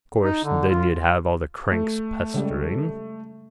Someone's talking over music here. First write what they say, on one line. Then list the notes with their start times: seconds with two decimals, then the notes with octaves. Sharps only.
Course then you'd have all the cranks pestering.
0.21 D#4
0.44 D3
0.70 F4
1.72 A3
2.34 C#3 G3 G#3